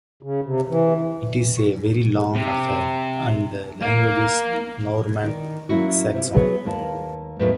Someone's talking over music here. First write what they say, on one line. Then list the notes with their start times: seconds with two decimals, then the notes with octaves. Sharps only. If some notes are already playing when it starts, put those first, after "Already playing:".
It is a very long affair, and the language is Norman-Saxon.
0.23 C#3
0.44 C3
0.69 E3
2.35 C3
3.82 A#3
5.24 D#3 D#4 D5
5.69 F#3 A#3 C#4 E4 F#4
6.14 C3 E4
6.33 F#3 B3 G#4 B4 C#5 F#5
6.65 D#2 A#3 A5
7.39 E2 A2 E3 F#3 A#3 D#4